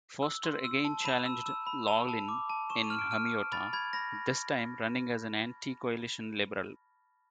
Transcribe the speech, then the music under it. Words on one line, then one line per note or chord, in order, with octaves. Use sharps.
Foster again challenged Laughlin in Hamiota, this time running as an anti-coalition Liberal.
E6
C6
E6
A5
E7
B5 D#7
E6
E6
B5
A5 F7
A5
D6
A5
C#6 E7
D#7
F6
D7
F6 D#7
F6
B5 A6
B5 G#6
B5 A#6